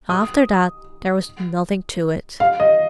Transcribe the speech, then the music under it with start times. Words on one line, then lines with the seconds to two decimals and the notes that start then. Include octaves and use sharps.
After that there was nothing to it.
0.09 D#6
2.40 F5
2.60 D#5